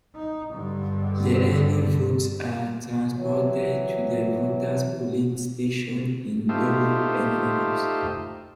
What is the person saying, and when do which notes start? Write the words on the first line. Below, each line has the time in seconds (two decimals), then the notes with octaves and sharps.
The early votes are transported to the voter's polling station in double envelopes.
0.15 D#4
0.53 G2 D3
3.16 E3 F#3
6.49 A3 D#4 F4 G4 C5 E5